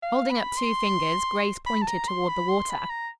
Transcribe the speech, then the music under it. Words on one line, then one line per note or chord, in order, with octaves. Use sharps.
Holding up two fingers, Grace pointed toward the water.
F5
B5
C6
B5
A5
A#5
C6
B5
C6
B5
A#5